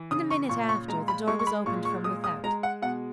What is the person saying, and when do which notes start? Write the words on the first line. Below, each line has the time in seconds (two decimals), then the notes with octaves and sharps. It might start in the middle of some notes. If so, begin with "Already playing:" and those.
In a minute after, the door was opened from without.
Already playing: E3
0.11 C#3 D#6
0.30 C#6
0.49 A#2 C#6
0.69 C#6
0.88 G#3 A#5
1.08 B5
1.27 G#3 C#6
1.39 C#6
1.47 B5
1.66 A#2 C#6
1.85 C#6
2.04 G#3 D#6
2.24 D#6
2.44 G#3 A#5
2.63 F#5
2.82 B2 F#5